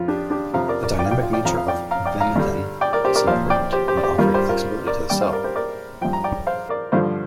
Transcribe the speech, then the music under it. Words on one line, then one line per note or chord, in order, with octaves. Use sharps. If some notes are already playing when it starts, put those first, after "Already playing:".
The dynamic nature of vimentin is important when offering flexibility to the cell.
Already playing: F2 F3 F4
D4 G4
D4 G4
F2 C3 F3 F5 A#5
A#4 D5
A#4 D5
D5 G5
F5
D5 G5
F4
D5 G5
F2 F3 F5 A#5
F5
D5 G5
F5 A#5
D5 G5
F5 A#5
G2 D3 G3
D5 G5
A#4 D5
G4 C5
A#4 D5
A#2 F3 C5 F5
D5 G5
G4 C5
G4 C5
D5
G4 C5
G2 G3 F4 A#4
G4 C5
F4 A#4
A#4 D5
G2 G3 D5 G5
C5 F5
A#4 D5
G4 C5
A#4 D5
G2 F3 G5
A#5
D5 G5
C5 F5
A#4 D5
G2 D3 F3 C5 F5